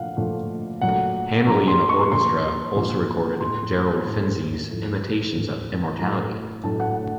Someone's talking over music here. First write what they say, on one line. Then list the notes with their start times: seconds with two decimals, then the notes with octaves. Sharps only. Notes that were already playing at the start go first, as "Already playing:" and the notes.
Handley and the orchestra also recorded Gerald Finzi's "Intimations of Immortality".
Already playing: A#2 F3 A3 F5 F#5
0.17 A#2 F3 A3
0.81 A#2 F#3 A3 F#5
1.47 A#2 F#3 A3 A#5
1.68 C6
1.89 C#6
2.11 A#2 F3 A#3 C6
2.76 A#2 F3 A#3
3.40 A2 A3 C6
4.05 A2 A3
4.70 A2 F3 A3
5.35 A2 F3 A3
5.99 A2 F#3 A3 A#5
6.64 A2 F#3 A3 A5
6.80 F#5
6.96 F#5